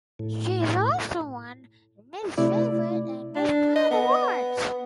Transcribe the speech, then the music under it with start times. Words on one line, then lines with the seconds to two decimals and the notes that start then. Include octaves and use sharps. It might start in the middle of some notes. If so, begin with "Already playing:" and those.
She is also won "Miss Favorite" and "Miss Talent awards".
0.19 A2
2.38 C3 A3 E4 D5
3.35 D4
3.75 D#5
3.91 B3